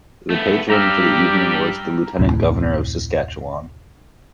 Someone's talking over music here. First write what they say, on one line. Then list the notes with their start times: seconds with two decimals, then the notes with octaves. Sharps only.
The patron for the evening was the Lieutenant Governor of Saskatchewan.
0.30 A3 B3
0.70 G2 G3 G4 A#5 E6 F6
2.19 F1 D2 A2 C3